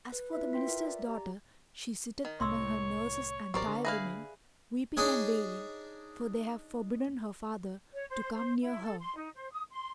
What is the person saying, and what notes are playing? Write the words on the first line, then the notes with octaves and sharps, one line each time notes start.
As for the Minister's daughter she sitteth among her nurses and tirewomen, weeping and wailing; for they have forbidden her father to come near her.
B4
E4 F4 B4 E5
F4 B4 G5 C6 B6
A#4 E5
D5
G4 A#5
D#3
C2 A2 C#5 C6 E6
A1 F#3 C4 G4 A#4 D5
D3
G#4 B4 D5 E5 F5
D4 D#4 G#4 C#5
C#5
C5
C5
E4
A4
C6
D#4
C5
D#6
C6